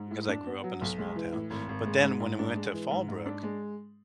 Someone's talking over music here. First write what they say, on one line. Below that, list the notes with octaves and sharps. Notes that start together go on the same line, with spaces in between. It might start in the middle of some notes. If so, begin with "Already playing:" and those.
Because I grew up in a small town. But then, when we went to Fallbrook,
Already playing: G#2
A2
D4
B3
F#3
B1
G#3
E3
A2
G#1
G#1
G#3
G#2
G#2
D4
G#3
E3
G#2
G#2
D4
G#3